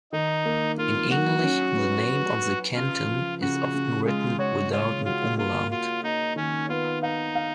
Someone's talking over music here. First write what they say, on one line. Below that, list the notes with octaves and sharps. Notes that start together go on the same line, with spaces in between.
In English the name of the canton is often written without an umlaut.
D#3 D#4
A#3
A#3 F4
F#3 F#4
C#4
B4
B4
B4
C#3 F4
F3
C#3 F#4
C#3
G#3 F4
F#4 C#5
F4 C#5
F4 F#4
A#3 F4
F4 F#4
A#3 D#4
D#3 C#4
B3 F4
D#4 F5
F5